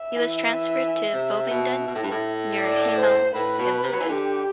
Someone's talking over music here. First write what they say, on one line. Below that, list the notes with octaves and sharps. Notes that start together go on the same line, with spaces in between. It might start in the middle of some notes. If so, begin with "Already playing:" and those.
He was transferred to Bovingdon near Hemel Hempstead.
Already playing: E5
E3
C3
B2
B2
A2
G2
A2
D5
C5
A2 B4
B2
C3
F#3
E3
D3 G4